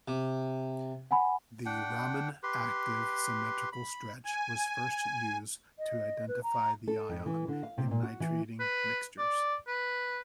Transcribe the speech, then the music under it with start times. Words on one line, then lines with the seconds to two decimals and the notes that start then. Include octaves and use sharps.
The Raman-active symmetrical stretch was first used to identify the ion in nitrating mixtures.
0.08 C3
1.11 F#5 G#5 B5
1.65 D4 F#5 G5
2.43 G4 B4 C6
3.72 B5
4.25 G#5
5.79 D#5
6.28 B4
6.43 A#5
6.88 A4
7.09 F2
7.26 E3
7.48 D3
7.63 F5
7.78 C3
7.91 A#2
8.03 F#4
8.20 E3
8.60 B4
9.18 D5
9.67 B4